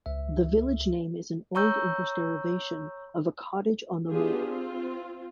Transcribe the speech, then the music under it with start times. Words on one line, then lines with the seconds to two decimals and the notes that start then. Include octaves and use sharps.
The village name is an Old English derivation of "a cottage on the moor".
0.06 C#2 E5
1.55 C#5 A#5 C#6 E6 G6
4.09 B3 D4 F4 G4 G#4
4.49 C4 F4